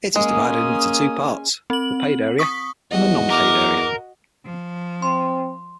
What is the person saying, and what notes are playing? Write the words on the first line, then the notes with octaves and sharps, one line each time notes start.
It is divided into two parts: the paid area and the non-paid area.
G#3 A#3 C#4 G#5 D#6
C4 F#7
C#6 D#6 B6
E2 F#4 D#5
A#4 D6
F3
C4 C6